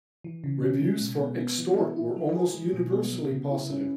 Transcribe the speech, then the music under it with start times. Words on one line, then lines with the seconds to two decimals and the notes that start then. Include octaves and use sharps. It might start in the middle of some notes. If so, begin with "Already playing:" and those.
Reviews for "Xtort" were almost universally positive.
0.24 E3
0.44 C#3
0.62 C#4
0.82 G#3
1.01 B2
1.20 B3
1.39 B3
1.58 E3
1.78 E4
1.96 E4
2.16 F#3
2.35 G#4
2.54 G#3
2.73 B2
2.92 B3
3.12 F#3
3.32 C#3
3.51 E4
3.70 C#4